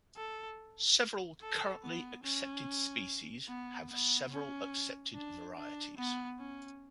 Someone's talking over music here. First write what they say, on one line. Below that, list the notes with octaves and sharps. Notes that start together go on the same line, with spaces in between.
Several currently accepted species have several accepted varieties.
A4
A4
B3
C#4
B3
B3
C#4
D4
D4
B3
C#4